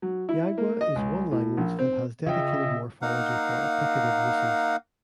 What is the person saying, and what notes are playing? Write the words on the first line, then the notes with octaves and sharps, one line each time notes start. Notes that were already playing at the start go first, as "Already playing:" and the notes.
Yagua is one language that has dedicated morphology for applicative uses.
F#3
E4
A#3
D#5
C#2
A2
A#1
C4
C#3 F4 D#5 E5 G5
A#3 D#4 F5 F#5